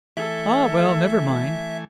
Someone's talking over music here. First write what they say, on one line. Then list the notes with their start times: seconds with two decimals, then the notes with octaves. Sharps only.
Ah, well, never mind.
0.17 E3 A3 A4 E5 G#5